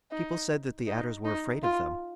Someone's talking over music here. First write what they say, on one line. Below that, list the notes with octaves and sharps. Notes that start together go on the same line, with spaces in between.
People said that the Adders were afraid of them.
D#4
D#4
D#4
F4